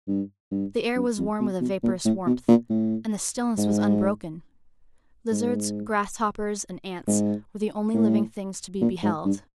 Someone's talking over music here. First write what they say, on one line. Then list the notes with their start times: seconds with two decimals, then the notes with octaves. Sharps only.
The air was warm with a vaporous warmth, and the stillness was unbroken. Lizards, grasshoppers, and ants were the only living things to be beheld.
0.08 G2
0.52 G2
0.96 F#2
1.18 F2
1.40 B2
1.61 B2
1.83 A#2
2.05 A2
2.26 B2
2.48 A#2
2.70 A2
3.58 G#2
5.32 G#2
7.07 G#2
7.94 A2
8.81 A#2
9.03 G#2
9.25 G2